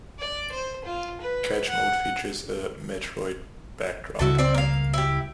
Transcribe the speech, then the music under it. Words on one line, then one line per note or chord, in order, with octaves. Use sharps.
Catch mode features a "Metroid" backdrop.
D5
C5
F4
B4
F#5
C#2 C#3 G3 E4 F#4 A4
C4 D5
A#3 F5
E4 G4